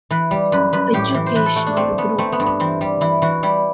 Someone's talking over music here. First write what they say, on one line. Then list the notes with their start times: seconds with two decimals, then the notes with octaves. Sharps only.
Educational Group.
0.11 E3 B4
0.31 G3
0.52 F#2 B4
0.73 F#2 B4
0.94 A2 G4
1.14 E3
1.26 C5
1.35 E3 B4
1.46 A4
1.56 A3 F#4
1.67 D4
1.76 A3 C4
1.98 A3 B3
2.18 A3 C4
2.32 B3
2.40 G2
2.46 B3
2.60 E3 C4
2.81 G3
3.01 E3 E4
3.22 E3 F#4
3.43 G3 E4